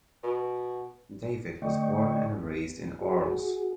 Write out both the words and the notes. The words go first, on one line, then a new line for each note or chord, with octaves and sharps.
David was born and raised in Arles.
B2
D3 A3 D5 D#5 G5 C#6
B3
F#4 G#4